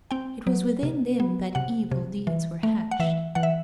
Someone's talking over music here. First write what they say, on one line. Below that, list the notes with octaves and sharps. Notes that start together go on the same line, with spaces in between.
It was within them that evil deeds were hatched.
C4 G5
F#3
C3
B3
C3 F#5
C3
E3
A3
F#5
E3 E5
E3 F#5
E5